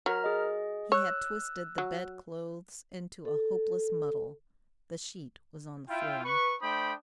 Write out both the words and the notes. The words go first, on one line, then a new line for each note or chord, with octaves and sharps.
He had twisted the bed-clothes into a hopeless muddle, the sheet was on the floor.
F#3 A#4 A#5 F6
G#4 D#5
C#5 E6 F#6
F#3
A4
E4 F4 G5
B4 C#6
A3 D4 C5 G5 B5 D#6